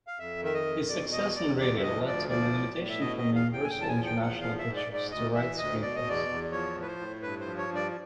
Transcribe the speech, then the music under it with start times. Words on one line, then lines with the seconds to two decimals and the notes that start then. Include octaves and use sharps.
His success in radio led to an invitation from Universal-International Pictures to write screenplays.
0.07 F5
0.18 F2 E5
0.42 D#3 E5
0.54 D#5
0.66 F2
0.89 B2 D5
1.13 E2 D#5
1.36 E2 D5
1.60 D2 D5
1.78 E5
1.83 F3 D#5
2.06 D2 D5
2.30 F3 D5
2.53 A2
2.77 A2
2.90 E5
3.00 B2 D#5
3.18 D#5
3.23 E2
3.35 F5
3.47 E2
3.53 G5
3.64 G#5
3.70 E2 G5
3.81 A5
3.88 G#5
3.94 F3
4.06 G5
4.18 E2
4.23 F#5
4.41 F3 F5
4.59 E5
4.64 G#2
4.76 D5
4.87 G#2
4.94 D5
5.11 D2 D#5
5.35 E3 E5
5.58 D2 D#5
5.82 B2 D5
5.95 D#5
6.05 E2 D5
6.28 E2
6.52 F3 C#5
6.75 A2
6.82 B4
6.87 C5
6.99 A2
7.22 G2 B4
7.40 C5
7.46 F3
7.58 C#5
7.70 G2
7.75 D5